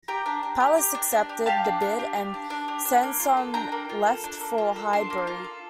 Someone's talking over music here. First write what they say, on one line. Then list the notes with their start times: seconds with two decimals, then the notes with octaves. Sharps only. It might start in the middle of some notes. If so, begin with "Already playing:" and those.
Palace accepted the bid and Sansom left for Highbury.
0.08 G4 G5 A#5
0.26 D4
0.43 D4
0.60 G4
0.78 G4
0.95 D4
1.12 D4
1.29 G4
1.46 G4 F5 A5
1.64 D4
1.82 D4
1.99 G4
2.16 G4
2.34 D4
2.50 D4
2.68 G4
2.85 D4
3.03 A#3
3.20 F4
3.37 A4
3.54 D4 G5 A#5
3.72 A#3
3.89 F4
4.07 A4
4.24 D4
4.41 A#3
4.58 F4
4.76 A4
4.93 D4 A5 C6
5.10 A#3
5.27 F4
5.44 A4